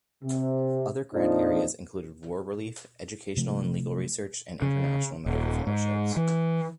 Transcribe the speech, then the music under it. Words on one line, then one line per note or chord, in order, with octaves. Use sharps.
Other grant areas included war relief, educational and legal research, and international medical fellowships.
C3
F2 A#2 F3 D4 D#4
C3 F3 A3
C#3
D#1
G#2
E3